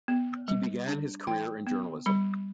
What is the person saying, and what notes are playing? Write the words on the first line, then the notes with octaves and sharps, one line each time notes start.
He began his career in journalism.
B3
G3
D4
E3 G5
B3
G3 B5